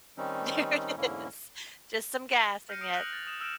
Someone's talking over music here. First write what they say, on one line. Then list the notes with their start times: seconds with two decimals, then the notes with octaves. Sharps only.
There it is. Just some gas and yet
0.17 D#3 G3 C4 C#4 D#4
0.97 E2 G#2 D3 A#3 C#4 E4
2.69 F6 G6 A#6 C7 C#7 D#7
2.81 D#6 C7 D7 D#7
2.94 F#6 G6 A#6 C#7 F7 F#7
3.11 G6 A6 F7
3.27 D#6 E7
3.41 E6 F6 G6 A#6 D7 E7